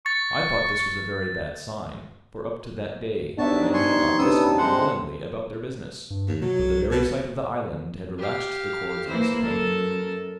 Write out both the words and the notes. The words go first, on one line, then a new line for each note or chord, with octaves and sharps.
I thought this was a very bad sign, for up to that day the men had gone briskly and willingly about their business; but the very sight of the island had relaxed the cords of discipline.
C#6 A6
C3 B3 D4 D#4 F#4 C#5 E5 A5
G#5 C6 C#6
G3 B3 C#4 D4 D#6 E6
C3 G#3 C5 F#5
G2
D#2
B2 F#3
C2
B2
G4 F5
E3 A#3 E4 C5
F#2 A4 A#4